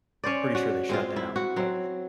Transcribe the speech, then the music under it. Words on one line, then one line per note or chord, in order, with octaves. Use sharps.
pretty sure they shut down, but,
C#4 C5 D5
F#4
G#3 C4 F4
E4
F#4
F#3 C4